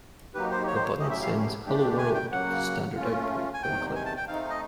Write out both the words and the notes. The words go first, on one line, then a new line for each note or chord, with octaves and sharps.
The button sends "Hello world" to standard output when clicked.
F#3 A#3 D#4 G4 B4
C5
C#5
C5
C#5
F#3 A3 C#4 E4 G4 D#5
E5
F5
E3 A3 D4 G4
G#5
G5
C#3 F#3 A#3 F#5
A3 C#4 F4
G#5
E2 C3 D#3 G5
G#5
A5
G5
A3 C4 D#4 F5
D#5